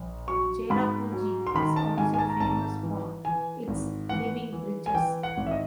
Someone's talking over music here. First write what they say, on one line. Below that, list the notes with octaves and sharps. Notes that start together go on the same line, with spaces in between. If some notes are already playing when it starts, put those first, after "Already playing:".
Cherrapunji is also famous for its living bridges.
Already playing: A#1
F#3 C#6
G#2 B5
F#3
C6
D#3 B5
A5
G#2 G#5
G#5
A5
A#5
G#1 A5
E3
E3 G#5
G#1
E3 F#5
E3
G#5
E3 G5
F#5
G#1
E5
D#5